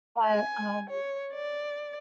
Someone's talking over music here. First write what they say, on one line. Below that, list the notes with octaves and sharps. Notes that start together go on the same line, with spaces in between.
but, um,
G#5
C#5
D5